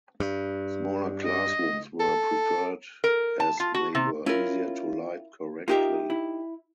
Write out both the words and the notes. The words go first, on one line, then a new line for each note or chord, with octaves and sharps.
Smaller classrooms were preferred as they were easier to light correctly.
G2
D#5
A4
A#4
A5
F4
F#4
C3
C#4 E4 F4 A#4
D#4 F4 G4 A#4 D#5 E5
E4